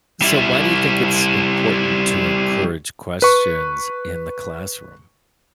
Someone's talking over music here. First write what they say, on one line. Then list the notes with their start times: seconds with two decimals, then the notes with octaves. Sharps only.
So why do you think it's important to encourage questions in the classroom?
0.22 G3 E4
3.22 B4 C#6